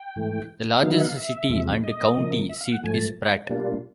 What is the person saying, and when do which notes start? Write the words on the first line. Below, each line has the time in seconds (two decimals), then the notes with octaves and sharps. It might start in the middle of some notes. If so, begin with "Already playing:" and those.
The largest city and county seat is Pratt.
Already playing: G5
0.16 G#2 E3 A3
0.82 D#3 F#3 B3 D#4 F5
0.94 E5
1.00 F#5
1.05 F5
1.16 E5
1.49 E2 C3 F3 G#3
1.84 D#5
2.17 C#3 F3 A#3
2.49 E5
2.60 F5
2.72 F#5
2.83 G#2 F3 A3 G#5
2.94 A5
3.49 B2 G3 A#3 D4 F4